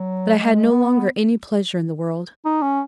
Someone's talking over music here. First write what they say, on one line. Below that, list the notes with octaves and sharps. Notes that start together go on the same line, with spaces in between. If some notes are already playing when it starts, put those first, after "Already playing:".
But I had no longer any pleasure in the world.
Already playing: F#3
G#3
B3
D#4
C#4